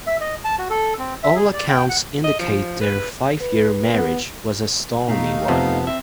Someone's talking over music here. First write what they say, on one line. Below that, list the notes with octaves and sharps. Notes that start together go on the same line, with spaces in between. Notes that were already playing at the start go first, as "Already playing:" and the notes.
All accounts indicate their five-year marriage was a stormy one.
E5
D#5
A5
F#4
A4
C4
E5
G#4
D5
G5
F#5
D#5
F3
B4
B4
B3
B2 A3 D#4 F5
F2 C3 B3 A4
C4 E5